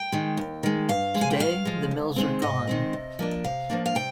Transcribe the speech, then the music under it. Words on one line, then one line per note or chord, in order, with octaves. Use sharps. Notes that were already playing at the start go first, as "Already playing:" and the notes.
Today, the mills are gone.
Already playing: G5
D#3 G#3
D#2
D#3 G#3
G2 F5
F3 G#3
G#5
G5
G2 F5
F3 G#3
G#2
D#3 G#3 C4
G#2 D#5
D#3 G#3 C4
C3
F3 A#3 D4
C3 F5
F3 A#3 D4
F5
C3 G5